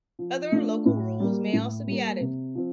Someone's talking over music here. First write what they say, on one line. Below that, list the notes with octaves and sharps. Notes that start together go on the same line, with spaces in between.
Other local rules may also be added.
F3
A3 D4 F4
A2
G3 A#3
A2
G3 A#3
C3
F3 C4